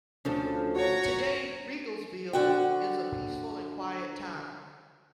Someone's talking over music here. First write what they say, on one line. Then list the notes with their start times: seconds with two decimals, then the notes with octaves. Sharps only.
Today, Riegelsville is a peaceful and quiet town.
0.25 D2 F3 C#4 D4 A4
0.76 F#4 C#5 A#5
2.33 D3 F#4 G5